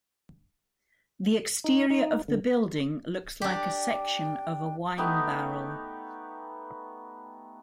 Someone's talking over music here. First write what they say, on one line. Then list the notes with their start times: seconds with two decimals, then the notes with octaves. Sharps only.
The exterior of the building looks like a section of a wine barrel.
1.64 D#4
1.90 D#4
2.28 D3
3.42 D4 G4 G5
4.98 A3 B3 D#4 G4